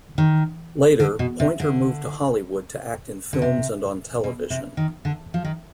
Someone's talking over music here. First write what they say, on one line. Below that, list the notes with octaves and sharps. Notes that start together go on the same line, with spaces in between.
Later, Pointer moved to Hollywood to act in films and on television.
D#3
D3
B2
C3
D3
D3
C3
B2
C3
D#3
D3
F3
D#3